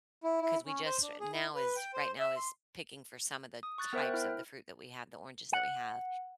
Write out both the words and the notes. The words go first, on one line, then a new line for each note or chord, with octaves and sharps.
'cause we just now is right now is picking for some of the types of the fruit that we have the oranges that we have,
E4
E4
C#4
C5
D4
G#4
E4
B4
G5
C5
E5
C6
D#6
C#6 F#6 A6
B3 A#4 C5 E5 G5 F#6
E4 F6
F#5